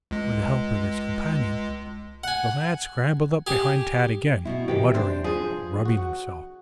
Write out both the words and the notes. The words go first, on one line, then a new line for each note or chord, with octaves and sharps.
With the help of his companion, the lad scrambled up behind Tad again, muttering and rubbing himself.
C#2 G#3
F#5 G#5
G4 G#4
B2 E4
C3 D#3 E3 G4
D4 C5
F3 G#4 C5
F#4 F#5